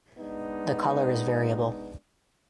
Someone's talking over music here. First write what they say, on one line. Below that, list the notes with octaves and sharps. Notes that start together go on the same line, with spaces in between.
The colour is variable.
G#3 B3 D4 D#4